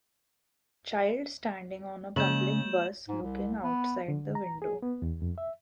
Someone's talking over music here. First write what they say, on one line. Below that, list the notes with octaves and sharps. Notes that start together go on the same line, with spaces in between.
Child standing on a public bus, looking outside the window.
C#3 G#3 A#3 G6 E7 F#7
G#2
C2
B3
D3
A#5
G#4
B3
E2
F2
E5